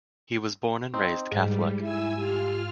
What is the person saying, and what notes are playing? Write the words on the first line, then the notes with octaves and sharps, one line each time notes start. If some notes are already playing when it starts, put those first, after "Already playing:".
He was born and raised Catholic.
C4 D#4
G#2 G3
E4 G#5 E6
F4 G4 F6